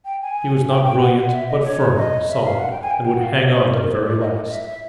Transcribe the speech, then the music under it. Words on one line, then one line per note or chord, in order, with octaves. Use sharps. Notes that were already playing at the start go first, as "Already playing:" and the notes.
He was not brilliant, but firm, solid, and would hang on to the very last.
G5
G#5
G5
G5
F#5
F#5
E5
D#5
C#5
D#5
E5
F5
F#5
G5
G#5
G5
G5
F#5
F5
C#5
C5
A#4
C5
D5
D#5
E5
E5